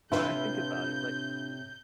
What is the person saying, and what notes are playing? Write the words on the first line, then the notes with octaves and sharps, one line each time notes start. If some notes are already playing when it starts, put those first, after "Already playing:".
when I think about it, like,
A2 C3 D4 E4 F4 B4 G6